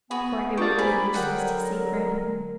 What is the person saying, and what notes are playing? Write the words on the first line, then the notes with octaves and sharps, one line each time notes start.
For it would be useless to seek for him.
B3 F#4 G#4 G#5 B5
B3 D4 F4 G4 G#4 D5 C#6
G#4 A#4 C5 G#5 B5
D3 F#3 G#4 A#4 F#5 G5